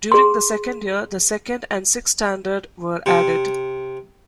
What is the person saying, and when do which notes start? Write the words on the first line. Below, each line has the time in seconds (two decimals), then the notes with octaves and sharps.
During the second year, the second and sixth standard were added.
0.12 G#4 C6
3.06 C3